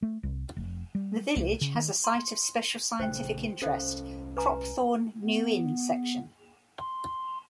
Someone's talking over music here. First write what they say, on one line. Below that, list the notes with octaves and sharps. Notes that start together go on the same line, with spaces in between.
The village has a Site of Special Scientific Interest, Cropthorne New Inn Section.
A3
C2
F1
G3
C2
C#3
D#3
C6
A#1 C#3 A3 C5 G5
C2 C#4 A4 C5 F5
B4 G#5 A#5
B3
C6